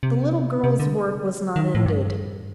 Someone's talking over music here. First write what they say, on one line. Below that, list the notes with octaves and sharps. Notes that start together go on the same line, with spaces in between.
The little girl's work was not ended.
C3
C3
D3
D#3
A2
G2